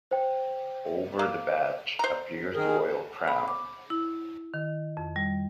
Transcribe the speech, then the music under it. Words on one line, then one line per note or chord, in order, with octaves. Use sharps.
Over the badge appears the Royal Crown.
C5 G5
A#3
C5 A#5
D#3 G#4 A#4
B5
D6
E4
D#3
F2
G3